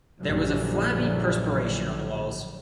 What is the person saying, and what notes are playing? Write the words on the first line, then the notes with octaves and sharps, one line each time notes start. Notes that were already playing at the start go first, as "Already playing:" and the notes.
There was a flabby perspiration on the walls.
A#1 F#2 D3 E3 F#3 G3